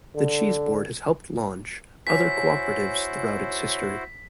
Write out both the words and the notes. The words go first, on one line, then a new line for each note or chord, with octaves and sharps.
The Cheese Board has helped launch other cooperatives throughout its history.
D3
E4 F#4 C5 C#5 G#5 B6